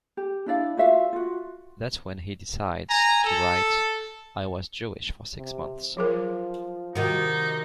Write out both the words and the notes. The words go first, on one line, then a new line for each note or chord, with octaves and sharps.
That's when he decides to write, "I Was Jewish for Six Months".
G4
D4 E4 D5 F5
F4 F#4 E5 F5
F4 F#4
G#5 A#5
A4
C3
F3 F#3 G#4 A#4
C3 D#3 D#4 F#4